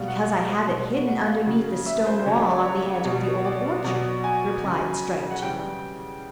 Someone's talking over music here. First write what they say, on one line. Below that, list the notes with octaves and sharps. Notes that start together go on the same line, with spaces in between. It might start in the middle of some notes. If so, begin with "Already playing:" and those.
"Because I have it hidden underneath the stone wall on the edge of the Old Orchard," replied Striped Chipmunk.
Already playing: B2 G3 F5
F#5
B2 G3
F#5
F5
C#3 F#3
E5
C5
C5
C#3 F#3 C#5
D5
C#5
B2 G3
D5
B2 F#3
G#5
C#3 F#3
F#5
C#3 E3 G3 G5